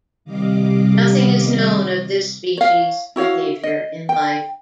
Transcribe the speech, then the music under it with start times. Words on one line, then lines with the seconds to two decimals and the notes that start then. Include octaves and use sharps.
Nothing is known of this species' behavior in life.
0.25 C3 D#3 G3 D#5 F5 D6
2.57 C#5 F5
3.16 E4 F#4 C#5 F5
3.63 D#5
4.09 G5